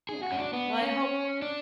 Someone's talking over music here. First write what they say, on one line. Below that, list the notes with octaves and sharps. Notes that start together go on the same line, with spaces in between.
Yeah, well, I hope
G#4
F#4
C#4
D4
B3
C#4
D4